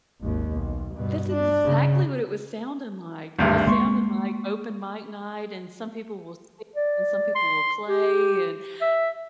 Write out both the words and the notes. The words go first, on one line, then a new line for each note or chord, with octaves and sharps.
That's exactly what it was sounding like, it was sounding like open mic night, and some people will speak, and some people will play, and Have
G#1 D#2
B1
G2 B2
D4
C#3
G#1 D2 G2
G#3 A#3 C6 C#6
D5
C6
G4
E5